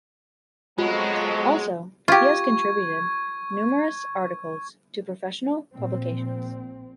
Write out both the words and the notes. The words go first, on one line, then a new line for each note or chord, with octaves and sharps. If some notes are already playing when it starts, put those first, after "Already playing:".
Also he has contributed numerous articles to professional publications.
F2 B2 F#3 G#3 F4
F4 G4 C#6 G#6
A#1 A#2 C4